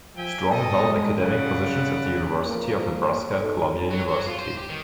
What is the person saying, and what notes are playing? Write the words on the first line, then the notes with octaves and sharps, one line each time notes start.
Strong held academic positions at the University of Nebraska and Columbia University.
F3 E5 G5 G#5
B3 A4 D#5
G#3
C#3 B4 D5 F#5
F3 A#3
B2 D#4 G#4 A4
F#3
F#3
F4
C5
G4
D#3